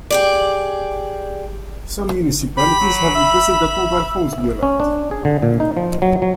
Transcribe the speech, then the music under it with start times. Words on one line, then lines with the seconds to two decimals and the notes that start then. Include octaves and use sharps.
Some municipalities have requested that mobile homes be allowed.
0.11 G4 G#4 D5
2.57 G4 B5
2.79 F#3
3.15 E5
4.63 C#4
4.80 D4
5.11 G#4
5.25 D3
5.42 A#2
5.60 D#4
5.77 F3
6.02 F#3
6.22 F#3